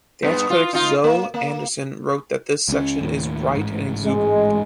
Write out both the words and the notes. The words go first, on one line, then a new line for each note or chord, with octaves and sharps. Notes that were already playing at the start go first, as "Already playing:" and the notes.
Dance critic Zoe Anderson wrote that this section is "bright and exuberant".
G2 B3
F4
D#4 F4
A#3
A#3
C#2 C#4
D#2 A2
A1 G#2
G#3